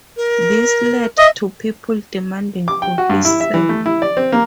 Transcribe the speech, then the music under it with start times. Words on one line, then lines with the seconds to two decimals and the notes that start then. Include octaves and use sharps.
This led to people demanding for his sack.
0.16 A#4
1.18 D#5 E5
2.68 D6
2.82 G5
2.98 F#4
3.10 G2
3.25 E4
3.41 E5
3.54 E3
3.69 A3
3.86 E4
4.02 D5
4.17 C4
4.32 A#3